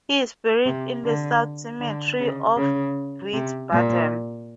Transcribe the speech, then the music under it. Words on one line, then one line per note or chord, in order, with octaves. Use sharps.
He is buried in the South Cemetery of Wiesbaden.
C3
D3
D3
C#3
C#3
C3
A#2